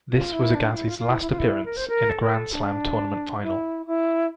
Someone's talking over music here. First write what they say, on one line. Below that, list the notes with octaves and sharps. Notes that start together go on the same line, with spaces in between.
This was Agassi's last appearance in a Grand Slam tournament final.
F4
E4
D4
F4
E4
F4
F4
E4
E4
F4
E4
A#4
C5
A#4
A4
A#4
A4
D4
E4
E4